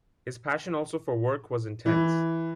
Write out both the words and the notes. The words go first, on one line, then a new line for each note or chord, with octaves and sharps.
His passion also for work was intense.
E3